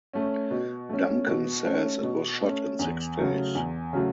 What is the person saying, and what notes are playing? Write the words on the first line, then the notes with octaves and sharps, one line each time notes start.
Duncan says it was shot in six days.
A3 C#4
B2
A3 C#4
B2
A3 C#4
B2
A3 C#4
E2
C#3 F#3 A3
E2
C#3 F#3 A3